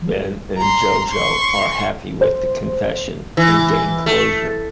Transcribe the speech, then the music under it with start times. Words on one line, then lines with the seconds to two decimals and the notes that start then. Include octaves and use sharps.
Ben and Jojo are happy with the confession and gain closure.
0.57 A#5 C6
1.09 C6 C#6
2.21 C5
3.37 E3
4.06 A3